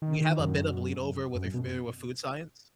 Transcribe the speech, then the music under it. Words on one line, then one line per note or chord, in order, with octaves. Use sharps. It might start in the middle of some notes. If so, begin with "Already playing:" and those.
we have a bit of bleed over with are you familiar with food science?
D#3
D#3
F#2
F#2
B2